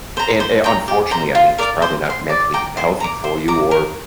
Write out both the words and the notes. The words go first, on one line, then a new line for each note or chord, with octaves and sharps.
and, a unfortunately, I mean, it's probably not mentally healthy for you or
C5 A#5
C5
G5 A#5
G4
C5 A#5
F4
A#4 D5
C5
F5
C6
D5
G5 A#5 D6
C5
A#5 D6
C5
A#5 D6
A#4